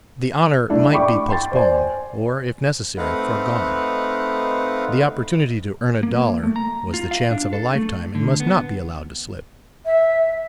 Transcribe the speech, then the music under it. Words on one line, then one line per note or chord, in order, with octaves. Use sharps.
The honor might be postponed or, if necessary, foregone; the opportunity to earn a dollar was the chance of a lifetime and must not be allowed to slip.
A3 D4 E4
D5 G5 B5 C#6 D6
G5 C6 A6
C5 D5 G#5
A3 C4 D#4 B4 F5 F#5
A#3
A3
A#5
F4
F5
D4
A4
A3
D3
B3
E5